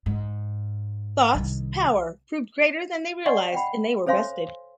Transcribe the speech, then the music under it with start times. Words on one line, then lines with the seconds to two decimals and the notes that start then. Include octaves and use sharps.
Thoth's power proved greater than they realized and they were bested.
0.06 G#2
1.35 C2 D#3
3.26 D5 D#5 F#5 G#5 C6 C#6
3.52 F#5 G5 B5
4.06 A4 C5 C#5 F5 G#5 C6